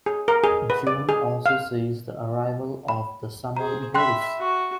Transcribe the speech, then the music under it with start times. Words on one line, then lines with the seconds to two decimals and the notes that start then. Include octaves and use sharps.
June also sees the arrival of the summer grilse.
0.06 G#4
0.28 A#4
0.44 G#4
0.70 B4
0.87 D5
1.09 G#4
1.46 F5
2.88 B5
3.57 G#4 C5 A#5
3.94 E5 G5 B5 C6 F#6
4.39 F#4